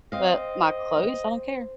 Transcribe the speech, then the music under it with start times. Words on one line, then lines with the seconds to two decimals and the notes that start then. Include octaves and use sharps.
but my clothes, I don't care.
0.12 C4 D#5 F5